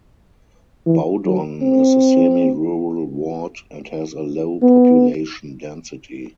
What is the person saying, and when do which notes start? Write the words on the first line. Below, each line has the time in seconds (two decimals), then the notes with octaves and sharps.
Bowdon is a semi-rural ward and has a low population density.
0.86 E3
1.25 F#3
1.62 C4
4.63 B3